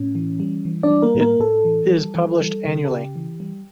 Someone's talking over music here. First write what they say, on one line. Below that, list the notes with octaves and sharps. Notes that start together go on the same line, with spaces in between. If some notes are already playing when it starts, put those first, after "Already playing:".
It is published annually.
Already playing: A2 C#4
E3
G3
E3
D4 D5
G3
A#3 A#4
A2
A#3 A#4
A2 A4
E3
G3
E3
G3
C#3
A4
C#3 G4
E3
G3